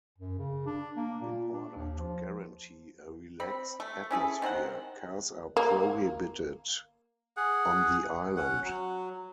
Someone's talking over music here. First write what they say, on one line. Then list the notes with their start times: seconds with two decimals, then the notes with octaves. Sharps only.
In order to guarantee a relaxed atmosphere, cars are prohibited on the island.
0.18 F#2
0.39 C#3
0.66 D4
0.97 A#3
1.22 A#2
1.53 D4
1.77 D#2
1.99 F3
3.40 C4 B5
3.80 A3
4.11 C#4 E4 G#4 A4
4.42 D#3 C4 C5 F#5
5.57 A#3
7.37 G#4 F#5
8.36 C#4 F#5
8.64 F#3